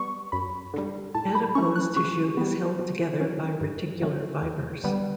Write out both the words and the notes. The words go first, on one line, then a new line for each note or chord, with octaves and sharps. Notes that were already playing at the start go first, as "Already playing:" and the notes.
Adipose tissue is held together by reticular fibers.
Already playing: G3 B3 C#6
F#2 B5
D3 G3
A2 A5
B5
E3 A3 C#4 C#6
F#6
C#3 C#6
G3 B3
B2
F#3 C#4
G2
D3 F#3 A3 C#4
E2
D3 G3 B3